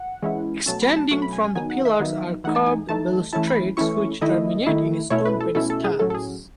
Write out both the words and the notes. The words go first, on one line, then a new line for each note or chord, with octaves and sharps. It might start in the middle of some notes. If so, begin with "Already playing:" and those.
Extending from the pillars are curved balustrades which terminate in stone pedestals.
Already playing: F#5
E3 G#3 C#4 E4
B2 F#3 A3 C#4 A5
B5
A5
B2 F#3 A3 C#4 C#6
B5
G#5
G#5
D#3 F#3 B3 D#4 G#5
F#5
E5
D#3 F#3 B3 D#4
E3 A3 D#4 F#5
A5
G#5
E3 A3 D#4 A5
E3 A3 C#4 E4 A5
B5
E3 A3 C#4 E4 C#6
D#3 A3 E4 D#5
D#3 A3 E4
B2 A3 C#4 E4 C#5
B4
A4
B2 A3 C#4 E4 A4
A4
G#4
A2 F#3 C#4 A4
A4
G#4